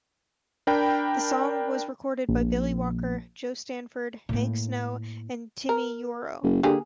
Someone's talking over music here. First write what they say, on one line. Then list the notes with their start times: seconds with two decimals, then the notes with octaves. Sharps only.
The song was recorded by Billy Walker, Jo Stafford, Hank Snow, and Timi Yuro.
0.67 D4 A#4 G5 B5
2.29 A#1
4.29 A2 A#3
5.69 A#4
6.44 F#1
6.63 D3 A#3 G4 G#4